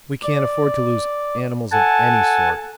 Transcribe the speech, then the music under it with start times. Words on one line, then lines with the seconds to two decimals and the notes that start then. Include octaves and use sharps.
We can't afford to lose animals of any sort.
0.23 D5
1.72 A4 F#5 G#5 A5